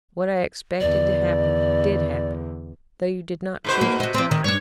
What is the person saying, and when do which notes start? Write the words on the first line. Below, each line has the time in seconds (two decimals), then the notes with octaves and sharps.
What I expected to happen did happen, though you did not choose to tell me.
0.80 E2 D3 D5
3.64 G#2 B2 C5
3.81 A#3
4.00 C3 F#4 D#5
4.14 C4 D5
4.31 D#3
4.44 G2 D4 C#5